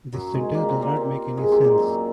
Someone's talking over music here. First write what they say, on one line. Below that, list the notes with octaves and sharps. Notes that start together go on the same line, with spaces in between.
This sentence does not make any sense.
F#2 F#3
G#2 G#3
A#2 A#3
C3 C4
A#2 A#3
C3 C4
G#2 G#3
C3 C4
A#2 A#3
F#2 F#3